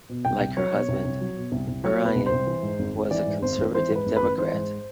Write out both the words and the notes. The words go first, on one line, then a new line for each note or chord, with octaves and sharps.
Like her husband, Byron was a conservative Democrat.
B2
C2 G5
C2
F#3 C#5
B2
C2
C2
F#3
B2
C2
C2
F#3 C#5
B2
B4
C2
C5
C2
E3
G#2
G#1
G#1
E3 D5
G#2
G#1 C5
G#1
E3 C5
G#2
B4
G#1
B4
G#1
E3 C5
G#2